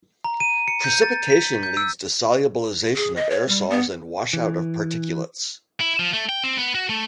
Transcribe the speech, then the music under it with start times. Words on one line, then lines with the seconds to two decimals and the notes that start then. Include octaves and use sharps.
Precipitation leads to solubilization of aerosols and washout of particulates.
0.24 A#5
0.40 D#7
0.68 C#7
0.84 G6
1.02 A6
1.30 B6
1.63 G6
1.77 E6
2.96 G#4
3.16 D#5
3.31 C#5
3.48 G3
3.70 B3
4.33 E3
5.80 E4
5.99 F3
6.13 A3
6.29 G5
6.44 C4
6.58 B3
6.75 F#4
6.89 A3